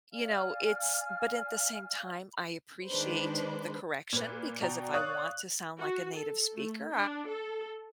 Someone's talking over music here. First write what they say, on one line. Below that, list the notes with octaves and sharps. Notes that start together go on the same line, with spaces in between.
you know, it's But, at the same time, I appreciate the correction, because if I want to sound like a native speaker,
D5 F5 G#5 F6
D#3 G#3 D4 B4 C5
A#2 B4
B2 D5 G5 A#5
C#5 D5 F5 C#6 D#6 F#6
F#4
A4
A3
D4
A4